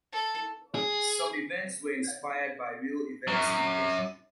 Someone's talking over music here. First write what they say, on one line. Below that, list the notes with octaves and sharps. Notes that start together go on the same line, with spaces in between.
Some events were inspired by real events in history.
A4
G#4
F#2 F#3